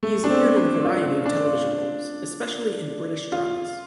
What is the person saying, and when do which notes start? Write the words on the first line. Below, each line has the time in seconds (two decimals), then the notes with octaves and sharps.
He has appeared in a variety of television roles, especially in British dramas.
0.03 A3
0.24 D4
0.29 C4
0.57 D4
0.84 F4
1.26 D4
3.32 F4